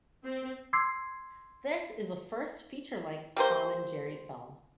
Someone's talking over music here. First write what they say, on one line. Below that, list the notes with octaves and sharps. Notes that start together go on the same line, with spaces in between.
This is the first feature-length Tom and Jerry film.
C4
C6 D6 E6 G#6 C7
G3 A#3 C5